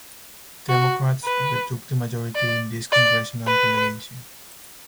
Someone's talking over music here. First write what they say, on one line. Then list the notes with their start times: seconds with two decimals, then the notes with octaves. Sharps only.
Democrats retook the majority in this congressional delegation.
0.69 F#4
1.24 B4
2.35 D5
2.92 D5
3.47 B4